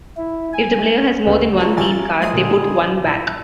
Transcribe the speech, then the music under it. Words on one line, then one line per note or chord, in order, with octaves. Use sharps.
If the player has more than one Deal card, they put "one" back.
E4
G#5
D2 C#3 B3 A4
F4 F#4 A#4 A5
A1 A2 G#5 A6
G3 A3 C5 D#5 G#5 C7 D#7
A#2 D3 G3 A#4
A#2 E4 A4